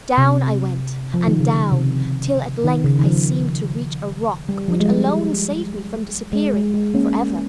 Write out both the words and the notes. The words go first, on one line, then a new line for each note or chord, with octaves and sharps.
Down I went, and down, till at length I seemed to reach a rock which alone saved me from disappearing for ever.
C3
F3
D#3
C#3
C3
D#3
C#3
D#3
F3
G3
F3
G#3
G3
G#3
G#3
G#3
A#3 C#4